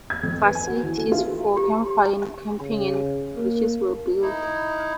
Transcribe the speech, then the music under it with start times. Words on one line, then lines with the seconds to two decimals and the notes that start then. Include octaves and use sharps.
Facilities for campfire and camping, and bridges were built.
0.10 G#6
0.23 F2
0.42 B4
0.55 G#5
0.67 F#4
0.83 E3
0.98 A3
1.12 F4
1.57 G4
2.60 C#3
3.37 A#3
4.22 D#4 E4